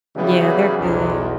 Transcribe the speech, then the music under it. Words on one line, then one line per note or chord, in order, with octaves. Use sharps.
Yeah, they're good.
C#3 E3 F#3 G3 B3
B1 E2